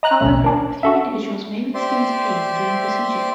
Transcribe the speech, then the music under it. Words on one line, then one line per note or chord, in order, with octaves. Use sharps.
However, a few individuals may experience pain during the procedure.
D#5 A#5 F#6
A#1 D#2 B2 A3
C#4 D4 A#4
F#4 A4 E5
G4 C5 D5 E5 C6